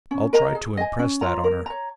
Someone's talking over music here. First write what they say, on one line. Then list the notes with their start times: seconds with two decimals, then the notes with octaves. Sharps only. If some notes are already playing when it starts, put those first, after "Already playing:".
I'll try to impress that on her.
0.11 C#4
0.33 A#4 D#5 A#5
0.55 G#4
0.77 D#5 G#5
0.99 C#4
1.21 F4 C#5 A#5
1.44 A#4
1.66 C#5 A#5